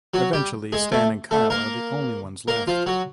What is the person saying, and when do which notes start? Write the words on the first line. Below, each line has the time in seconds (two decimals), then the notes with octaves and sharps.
Eventually, Stan and Kyle are the only ones left.
0.14 F#3 F#4
0.33 G3 G4
0.72 G#3 G#4
0.92 A3 A4
1.31 A3 A4
1.50 A#3 A#4
2.48 A#3 A#4
2.67 F3 F4
2.86 F#3 F#4